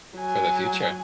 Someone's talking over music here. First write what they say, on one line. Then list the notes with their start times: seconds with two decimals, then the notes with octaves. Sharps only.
For the future.
0.17 F#3 G#5